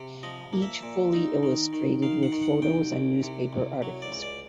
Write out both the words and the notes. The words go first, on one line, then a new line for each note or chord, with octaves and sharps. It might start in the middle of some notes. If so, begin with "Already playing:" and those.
Each fully illustrated with photos and newspaper articles.
Already playing: C3
F3 D#5
A#3
E5
A#2
D#4
D#3
D#3
D#3 F5
F#5
D#3
F#5
C2 G5
C2
C3
C2
F#3
D5
C#2
D5